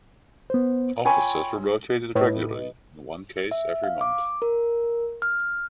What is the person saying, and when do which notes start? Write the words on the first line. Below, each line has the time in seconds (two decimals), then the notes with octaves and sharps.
Officers were rotated regularly-in one case every month.
0.50 B3 C5
1.05 F4 C#5 G5 G#5 B5 C#6
2.15 A2 B4 D#5
3.51 E5
3.84 F5
4.01 D6
4.42 A#4
5.22 F6